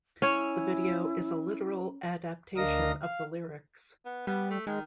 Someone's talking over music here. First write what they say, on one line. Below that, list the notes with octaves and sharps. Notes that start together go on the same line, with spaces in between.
The video is a literal adaptation of the lyrics.
C#4 E4 C#5
D2 D4 A#4 D#5 F5 A#6
F5
B3
G3 B3
A3
D#3 G#3